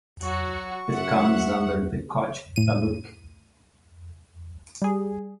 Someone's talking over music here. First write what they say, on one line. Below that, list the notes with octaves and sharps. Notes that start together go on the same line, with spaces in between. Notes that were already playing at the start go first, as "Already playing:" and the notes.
It comes under the Kochi taluk.
F#3 F#4 C#6
F#2 E5 F#5
A2 D#7
G3 G#4